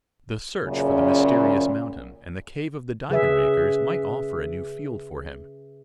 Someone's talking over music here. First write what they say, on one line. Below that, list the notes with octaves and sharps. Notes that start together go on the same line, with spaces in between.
The search for the mysterious mountain, and the cave of the diamond makers, might offer a new field for him.
F#2 A#2 C#3
C#3 G#4 B4 E5